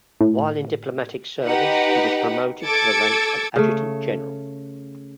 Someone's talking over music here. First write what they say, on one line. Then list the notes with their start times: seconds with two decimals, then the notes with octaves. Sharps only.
While in diplomatic service he was promoted to the rank of Adjutant General.
0.21 A2
1.45 D#4 G4 B4 F#5
2.64 A4 D6 E6 G#6 A6 C#7
3.56 C#3 A3